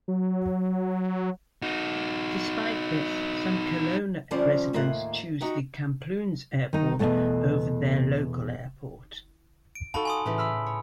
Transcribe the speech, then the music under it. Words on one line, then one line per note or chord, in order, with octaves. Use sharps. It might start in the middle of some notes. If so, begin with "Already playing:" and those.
Despite this, some Kelowna residents choose the Kamloops Airport over their local airport.
F#3
D#4 F#4
D3 F3 G3 C#4 C5 D5
D#2 A2 A#3 F4 E5 F#5
D#4 F#4 G4
D#3 D#4
E2 B2 F3 F#3 A3 F#5
D7
D#4 F#4 A4 F5 A5 B5 C#6
G#5 C6 D#6
A2 C#3 E3 B4
B5 E6 F6
C#5